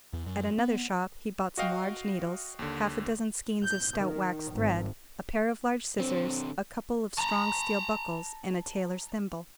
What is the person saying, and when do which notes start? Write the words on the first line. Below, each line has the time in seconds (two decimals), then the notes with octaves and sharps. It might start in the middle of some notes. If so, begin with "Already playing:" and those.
At another shop he bought some large needles, half-a-dozen skeins of stout waxed thread, a pair of large scissors, a couple of strong steel buckles, and a tailor's thimble.
0.13 E2
0.26 F#2
0.58 B3
1.57 F#4 D#5 F5 G5
2.59 D#2 D3
3.65 G6
3.98 D#3
4.53 G#1
5.99 D3 C4
7.18 A5 A#5